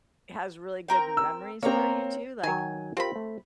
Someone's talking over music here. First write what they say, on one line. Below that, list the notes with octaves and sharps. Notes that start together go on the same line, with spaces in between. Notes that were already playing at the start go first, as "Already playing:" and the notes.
has really good memories for you too, like,
C4 A#4 G5
E6
A#3 C4 C#5 A#5
D#3 F#3 G#5
C4 F4 G4 A#4 B5
A3